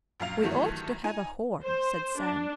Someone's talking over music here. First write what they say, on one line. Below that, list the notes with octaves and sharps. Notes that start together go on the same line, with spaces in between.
"We ought to have a horn," said Sam.
A#1 F#2 F5 F7
G2 D#3 E3 F#3 A3
D#4 G#5
C5
D4